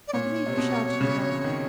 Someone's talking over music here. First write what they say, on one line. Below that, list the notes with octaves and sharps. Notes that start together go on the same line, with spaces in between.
I believe we shouted together.
D5
A#2 C#5
C3
B2
C#3
D#3